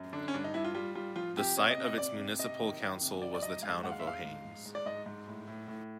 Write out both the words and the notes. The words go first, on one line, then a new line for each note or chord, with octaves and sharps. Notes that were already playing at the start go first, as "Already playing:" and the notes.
The site of its municipal council was the town of Vojens.
Already playing: F#2
D3 D4
C#4
G2 D4
D#4
G2 E4
F4
G3 F4
G3 F4
F3 F4
C3 G4
C3 C#5
D#5
C3
D#5
C3 D5
C3
C3 D#5
D#3
D#3
C3
C3 D5
D5
F#3 D#5
G#2 F5
G#3 F#5
F5
E5
G#2 F5
G#2
G#2
G#2
D5
G#2 D#5
G#2
A2
A2
A2